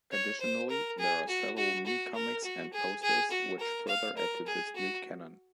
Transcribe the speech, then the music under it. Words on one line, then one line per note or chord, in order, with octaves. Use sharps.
Additionally, there are several mini-comics and posters which further add to this new canon.
C#5
C5
A#4
G#4
F#4
F#4
F#4
A#4
F#4
G#4
G#4
F#4
A#4
F5
A#4
G#4
F#4